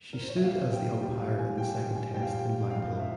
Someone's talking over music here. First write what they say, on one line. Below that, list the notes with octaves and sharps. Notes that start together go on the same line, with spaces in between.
She stood as the umpire in the Second Test in Blackpool.
A#4
C5
C#5
E5
A#2 G3 F5
G5
A#2 G3 G5
F5
G#5
A#2 G3 G5
G5
G#5
G3 G5
A#2 F5
G5
G#2 F3 F5
E5